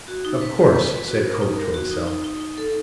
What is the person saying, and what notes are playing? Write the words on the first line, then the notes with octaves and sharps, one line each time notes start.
"Of course," said Cope to himself.
F#4
D#4
B4
B4
B4
B4
F#4
A#4
D#4
A#4
F#4
D#4
D#4
D#4
D#4
A4